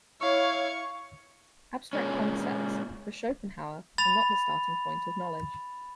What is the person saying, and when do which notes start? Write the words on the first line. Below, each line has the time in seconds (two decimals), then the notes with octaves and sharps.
Abstract concepts, for Schopenhauer, are not the starting point of knowledge.
0.21 E4 C#5 F5 C#6
1.93 A#2 D3 G#3 C#4
3.98 B5 A6 F7